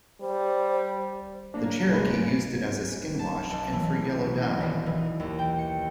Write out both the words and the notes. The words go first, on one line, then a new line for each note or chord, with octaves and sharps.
The Cherokee used it as a skin wash and for yellow dye.
G3 C5
C#3 A#3 D4
B2 G#3 B4
A5
B1
E3
D#4
D#1
E3
D#2
G5
C#7